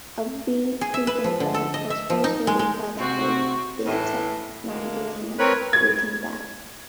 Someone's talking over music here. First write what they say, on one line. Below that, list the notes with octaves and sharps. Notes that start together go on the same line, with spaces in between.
Arvid Wittenberg was also the father of Beata Magdalena Wittenberg.
G#4
E5
B4
F3
D3
A4
D#5
E5
F3
D#4
G#3
G#3
C3 C4 F#4
A2 E3
D2 G#3 A#3
C4 A#4 B4 C#5
G#6